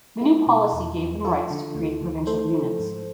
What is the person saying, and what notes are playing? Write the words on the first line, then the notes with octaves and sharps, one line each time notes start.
The new policy gave them rights to create provincial units.
G#3 E4
B2
E2
E2
F3 F4 A4
D3
D2
D2
A3 A4 C5
F3
G#2